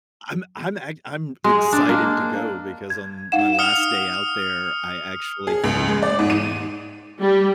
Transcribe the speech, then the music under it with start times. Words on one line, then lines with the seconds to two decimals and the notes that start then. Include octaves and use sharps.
I'm I'm ac I'm excited to go because on my last day out there, I actually found a,
1.44 G#3
1.73 D4
1.89 A#3
2.90 G#6
3.32 D#4 F5 F#5 E7
3.59 D#6 F6 C#7
5.47 G#4
5.64 C#2
5.88 G#3
6.02 D5
6.19 G#2
6.30 D#7
7.22 G3